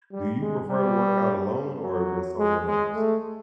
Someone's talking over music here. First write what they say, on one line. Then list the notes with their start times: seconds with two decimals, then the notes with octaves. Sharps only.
do you prefer to work out alone or with someone else?
0.12 G3
0.41 G#3
0.68 G3
1.82 F#3
2.38 G#3
2.66 G#3
2.95 A3